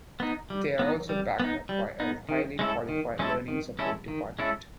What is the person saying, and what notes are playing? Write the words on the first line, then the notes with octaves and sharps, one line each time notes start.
They are also backed up by a highly qualified learning support department.
B3 D#4
G3
B3 D#4
G3
B3 D#4
G3
B3 D#4
D#3
G#3 C#4 E4 A4
D#3
G#3 C#4 E4 A4
D#3
G#3 C#4 E4 A4
D#3
G#3 C#4 E4 A4